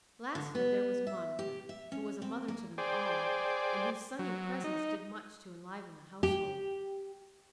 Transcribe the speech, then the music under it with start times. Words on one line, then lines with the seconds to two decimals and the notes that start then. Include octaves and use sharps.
Lastly there was Monica, who was a mother to them all, and whose sunny presence did much to enliven the household.
0.35 D3
0.55 B3
1.07 E5
1.39 G4
1.69 E5
1.92 C#4
2.22 C4
2.48 A#3
2.78 G#4 C5 D5 G5
4.19 F#3
4.64 D#4
6.23 G4